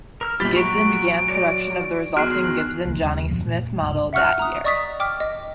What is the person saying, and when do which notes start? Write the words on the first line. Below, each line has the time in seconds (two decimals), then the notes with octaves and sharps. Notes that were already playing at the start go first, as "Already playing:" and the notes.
Gibson began production of the resulting Gibson Johnny Smith model that year.
0.21 A#4 E6 F6
0.40 A#1 A#2 G3 F4 G4 C5 B5 A6
0.56 F#3 F#4 A#5 C#6 D7
1.28 F#4 C#5 D5
2.17 E2 D#3 F#4 G#4 C6 F6 F#6 D7
2.86 C#2 F3 A3 A#3
3.01 D#2 C#3 G3
3.30 F#2 A#2 F3 B3
3.46 A#2
3.81 F1 C#2 G2 A#2
4.13 E5 F#5 C#6 F6 F#6
4.39 A#5 D#6
4.64 D5 D#5 C#6 D#6 A6 B6
5.00 G5 D6 F6
5.20 D#5